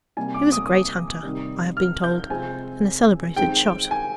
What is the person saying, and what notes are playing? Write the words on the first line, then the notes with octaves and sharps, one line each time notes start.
He was a great hunter, I have been told, and a celebrated shot.
C3 G3 A#3 G#5
D6
D#6
C3 D#3 G3
F6
G6
C3 F3 G#3 C4 G#5
D#3 G#3 C4 G5
G#5